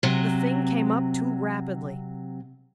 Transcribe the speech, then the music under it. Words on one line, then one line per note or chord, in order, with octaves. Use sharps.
The thing came up too rapidly.
C3 F#3